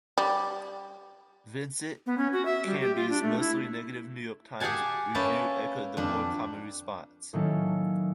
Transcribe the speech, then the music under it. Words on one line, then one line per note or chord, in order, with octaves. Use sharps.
Vincent Canby's mostly negative "New York Times" review echoed the more common response.
G3
B3
C#4
F#4
E5
G3
G4
F4
D4
A3
E4
G4 G#4 F5 F#5 G#5 A5
A#3 C#4 B4 E5 G5 A5
F2 D4
A2 D#3 F#3 A#3 C#4 A4